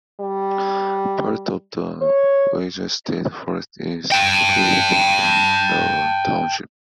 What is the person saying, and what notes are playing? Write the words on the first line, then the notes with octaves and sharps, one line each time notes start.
Part of the Weiser State Forest is located in the township.
G3
C#5
G5 A5